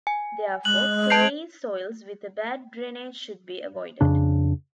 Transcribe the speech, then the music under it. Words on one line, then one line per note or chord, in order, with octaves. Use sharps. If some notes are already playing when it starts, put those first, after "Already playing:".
Therefore, clayey soils with a bad drainage should be avoided.
G#5
G#3 F#6 F#7
A5 G6 G#6 C7 D7 F7
F2 C#3 D4